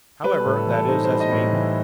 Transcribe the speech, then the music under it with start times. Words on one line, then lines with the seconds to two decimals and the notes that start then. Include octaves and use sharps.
However, that is as may be.
0.24 G3 B4
0.40 A4
0.45 A2
0.57 A4
0.67 E3
0.72 A4
0.88 D#4 C5
1.04 C5
1.10 G3
1.20 D#5
1.32 A2
1.53 E3